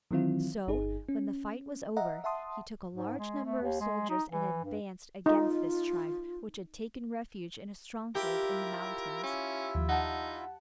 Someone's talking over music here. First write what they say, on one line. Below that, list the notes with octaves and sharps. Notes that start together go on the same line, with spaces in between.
So, when the fight was over, he took a large number of soldiers and advanced against this tribe which had taken refuge in a stronghold in the mountains.
D#3 E3 F#3 C4 E4 F4
G1 D#4 G#4
C#4
D#5 E5 F#5 A#5
E5 F#5 A5 C6 D#6
G#2
G#3
A3
D#2
G#3
D#4
E3
G2
D#4 F4
E4 F4 G4 A#4 E5
C#4
D#2 F3
D#4 F#5 A5